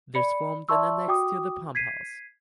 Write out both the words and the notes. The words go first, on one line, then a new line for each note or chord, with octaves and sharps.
This formed an annexe to the pump house.
D5 B5 C#7
D5 E5 A5 C6 C#6 E6
F#4 G5 D6 D#6
G#6 B6 C7 D#7